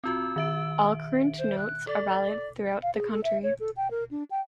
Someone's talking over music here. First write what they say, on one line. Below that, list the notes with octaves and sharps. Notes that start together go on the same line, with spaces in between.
All current notes are valid throughout the country.
C4 F4 F#4 E6
D#3 E5 D7
C5
F#6
A4 D5 D6
F5
G#4
A4
E5
C#5
A4
G5
A#4
D4
G5